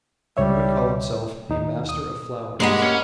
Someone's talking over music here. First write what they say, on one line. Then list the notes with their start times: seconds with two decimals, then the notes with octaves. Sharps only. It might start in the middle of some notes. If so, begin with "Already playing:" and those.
He would call himself a Master of Flowers.
0.37 C#2 G3 C#5 E5
1.49 D#2 D#4
1.89 D#6
2.60 G2 G#3 A#3 G4 D#5 F#5 B5
2.82 C#4